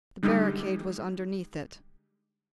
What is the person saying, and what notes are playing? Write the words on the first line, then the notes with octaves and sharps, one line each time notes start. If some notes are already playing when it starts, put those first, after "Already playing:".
The barricade was underneath it.
D3 G3 G#3 D#4 G4